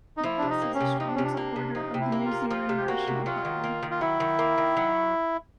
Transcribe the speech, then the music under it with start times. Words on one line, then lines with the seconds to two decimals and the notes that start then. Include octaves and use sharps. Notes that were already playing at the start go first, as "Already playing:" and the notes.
Wallis is a strong supporter of the New Zealand National Party.
0.17 D#4
0.24 F3 E4
0.38 C3 D4
0.49 D#4
0.62 A#3
0.75 C#4
0.80 C3
1.00 F3 D#4
1.07 D4
1.15 C3 C#4
1.24 D4
1.33 C#4
1.37 A#3 D4
1.56 C3
1.75 F3 D#4
1.94 C3
2.00 E4
2.12 A#3
2.25 F4
2.31 C3
2.50 F3 F4
2.69 C3
2.78 G4
2.88 A#3 F#4
3.07 C3
3.26 F#3 F4
3.45 D#3
3.64 A#3
3.83 D#3
3.91 F4
4.01 F#3 E4
4.20 D#3
4.39 A#3
4.58 D#3
4.77 F#3